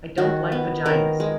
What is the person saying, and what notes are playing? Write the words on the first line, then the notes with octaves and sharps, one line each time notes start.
I don't like vaginas!
D#3 F#4
B3
D#3 A#4
G#3